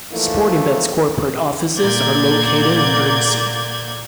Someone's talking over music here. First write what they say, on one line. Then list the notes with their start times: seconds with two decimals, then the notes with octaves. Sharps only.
Sportingbet's corporate offices are located in Guernsey.
0.10 E3 F3 A3 A#3 D#4 E4
1.76 A#2 D3 A#3 D5 G6 G#6